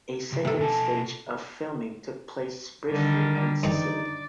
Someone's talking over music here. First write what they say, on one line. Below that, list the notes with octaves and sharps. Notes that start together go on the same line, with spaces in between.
A second stage of filming took place briefly in Sicily.
C3
A2 C3 D#3 A4
B2 G#5 A5
D3 D#3 G3 A#4
E2 G2 D#3 D#4 D5